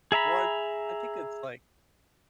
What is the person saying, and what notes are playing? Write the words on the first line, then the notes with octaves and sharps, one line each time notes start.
Well it's I think it's, like
G#4 E5 A#5 B5